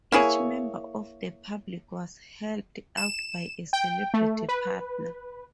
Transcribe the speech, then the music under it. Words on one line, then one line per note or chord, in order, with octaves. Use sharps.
Each member of the public was helped out by a "celebrity" partner.
A#3 E4 G#4 C#5
E7
G5
A3
B4